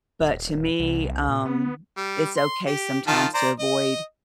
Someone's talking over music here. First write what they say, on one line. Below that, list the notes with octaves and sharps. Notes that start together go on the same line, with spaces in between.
but to me, um, it's okay sometimes to avoid
D#1
C2
A#2
B3
G3
C6
G4
D#3 F4 A5
C5 D5 A#5
D#5